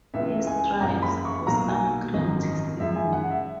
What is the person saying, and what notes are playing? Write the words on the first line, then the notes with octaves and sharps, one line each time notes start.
He strives for some grand testimony.
C#2 C#3 E3 B3 E5
G#5
F#1 F#2 C#3 A#5
B5
C#6
B1 B2 F#3 A#3 A#5
G#5
G#1 F#2 D#3 F#3 D#5
F#2 C#3 G#3 E5
G#5
F#5
E5